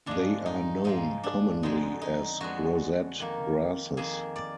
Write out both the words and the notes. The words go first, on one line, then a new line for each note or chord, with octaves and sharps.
They are known commonly as rosette grasses.
G#2 F3 G#3 D4
D#4
G#2 F3 G#3 D#4
D4
F2 D3 G#3 B3 D#4
D#4
F2 D3 G#3 B3 F#4
F2 D#3 A#3
F2 D#3 A#3 G#4
D5